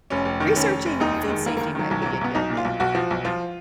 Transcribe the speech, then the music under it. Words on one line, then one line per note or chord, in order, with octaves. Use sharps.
researching food safety might be a good, eh, um,
F1 C#4
F1
D#3
F1 C#4
F1
F1
D#2 D#4
F1
G#3
D#3
F1 A#3
D#3 A#3
D#3 F#3
B1 F#3
F#3
B1
F#3
B1 B3
B1 D#4
A#2
F4
B1
B1 F#4
F3
B1
F3 F4